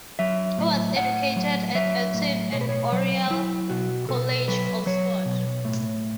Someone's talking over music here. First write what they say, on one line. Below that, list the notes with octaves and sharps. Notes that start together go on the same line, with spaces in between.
He was educated at Eton and Oriel College, Oxford.
F#3 E5
A2
A2 F#5
F#3
F#3 E5
A2
B2 C#5
B4
C#5
F#3
F#3 E4
B2 F#4
B2 A4
F#3 B4
F#3 C#5
B2
A2